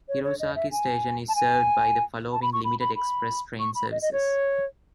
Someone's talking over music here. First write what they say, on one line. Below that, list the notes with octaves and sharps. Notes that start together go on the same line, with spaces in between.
Hirosaki Station is served by the following limited express train services.
C#5
C#5
D#5
E5
G#5
A5
G#5
A5
B5
C#6
B5
B5
B5
C#6
B5
D#5
D#5
C#5